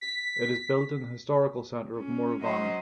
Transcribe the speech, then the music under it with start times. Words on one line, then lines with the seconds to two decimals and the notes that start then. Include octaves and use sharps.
It is built in the historical center of Moravany.
0.01 B6
1.97 C#4
2.42 F#3 C5 D#5